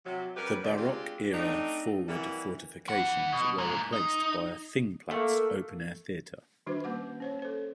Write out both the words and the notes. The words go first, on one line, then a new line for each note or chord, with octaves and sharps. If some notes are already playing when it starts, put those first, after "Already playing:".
The Baroque-era forward fortifications were replaced by a Thingplatz open-air theatre.
C3 F#3
G3 C#4 G4 A#4 B4
D2 D3 D5
G#3 C4 D4 F4 G4
A3 C4 D4 D#4
E3 F#3 G3 A#3 C4 E4
E3 F#5
B2
G#3 A#3
D#4
A3 A#3
D#3 G3 D4 F#4 B4 C5
A#3 C#4 F#5 D6
C#4 C5 C#5
A4 C5